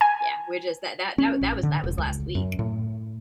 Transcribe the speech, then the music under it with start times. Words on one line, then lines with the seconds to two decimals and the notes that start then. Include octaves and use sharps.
yeah, we're just that that that that was that was last week.
0.01 G#5
1.18 C#4
1.41 A1
1.63 D3
1.84 E1
1.98 C#2
2.35 F#2
2.59 A2